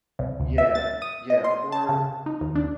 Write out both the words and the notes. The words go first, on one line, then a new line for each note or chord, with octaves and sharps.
Yeah, yeah, or
C2
D2
E5
A6
D#6
D#5
C6
A5
C#3
D#4
D#2
D4